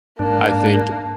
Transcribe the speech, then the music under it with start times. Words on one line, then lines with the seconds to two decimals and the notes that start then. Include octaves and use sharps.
I think,
0.19 G#2 A#3 D4 A5